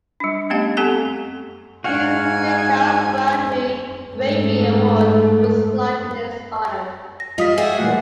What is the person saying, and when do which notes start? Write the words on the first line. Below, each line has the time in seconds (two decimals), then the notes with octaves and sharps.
King Sigcau Bravery Award was launched in his honour.
0.20 G3 D4
0.50 A3 B3 C#4 G4 D#5 F5
0.77 B3 C4 G4 A4 F#5 G#5
1.84 G#2 F#4 F5 F#5 G#5
4.13 G#2 A3
7.20 A#6
7.38 G3 F4 D#5 D#6 B6
7.58 F4 F#4 G#4 E5 G5 G#5
7.78 A#2 E3 G3 A3 F#5